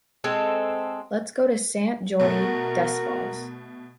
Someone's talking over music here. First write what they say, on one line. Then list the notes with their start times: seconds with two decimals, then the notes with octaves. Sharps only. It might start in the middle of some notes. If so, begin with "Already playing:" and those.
Let's go to Sant Jordi Desvalls.
0.24 G#3 C4 A4
2.20 B2 A3 F#4 A#4